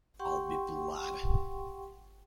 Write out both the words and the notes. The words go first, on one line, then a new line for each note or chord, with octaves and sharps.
I'll be Blood.
G4 F#5 G5 C6 C#6